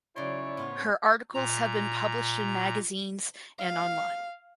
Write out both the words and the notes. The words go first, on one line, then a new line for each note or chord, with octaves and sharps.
Her articles have been published in magazines and online.
C#3 F#3 C#4 D#4 E4 C#5 D5 C6
A2 B3 F4 C5
A#2 A#5
F5